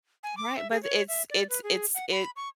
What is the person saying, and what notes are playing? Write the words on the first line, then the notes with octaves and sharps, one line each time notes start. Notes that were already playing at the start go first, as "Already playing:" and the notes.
Right, but th it's it's it's it
G#5
D6
E5
G#4
C#5
E5
D5
B4
G#4
F#5
B5
C#6